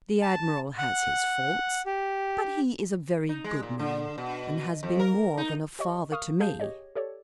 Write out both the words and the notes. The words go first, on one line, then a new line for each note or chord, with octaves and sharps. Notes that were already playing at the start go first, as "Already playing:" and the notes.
The Admiral has his faults, but he is a very good man, and has been more than a father to me.
A5
F#5
G4
D#4
G#3
A#2
D3
B2
F2
A#4
D#4
G4 C#5 D#5 C#6
A#4 F5 C#6 D#6 F6
G4 G#4 F5 A5 G6
G4 G#4 C#5 D#5
G4 A4 C#5 D5